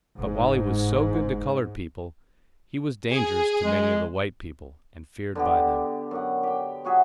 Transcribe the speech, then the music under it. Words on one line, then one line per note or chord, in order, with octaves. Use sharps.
But while he was so good to colored people, he was dangerous to many of the white people and feared by them.
F#1 G#2
G#4
G#3
D3 B3 G4
F#2 F#5
G4 G5
F#3 F#4 G#4 E5